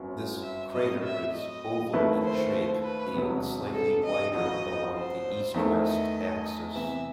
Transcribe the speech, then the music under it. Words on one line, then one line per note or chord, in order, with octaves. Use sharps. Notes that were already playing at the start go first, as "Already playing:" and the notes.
This crater is oval in shape, being slightly wider along the east-west axis.
Already playing: G1 F#2 F#3 C4 F#4
E5
A2 F#3 C4 D#5
E5
D#5
D#2 D#3 A3 E4 B4
C5
B4
E1 E2 C3 F#3 B3
A4
D#5
A1 G2 F#3 D#5
C5
E2 D#3 A3 E4
D#5
C3 E3 B3 E5